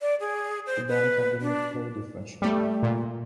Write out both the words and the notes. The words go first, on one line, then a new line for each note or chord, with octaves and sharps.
The band continue to play different shows.
D5
G#4
C5
B4
D4
G3 A3
A#2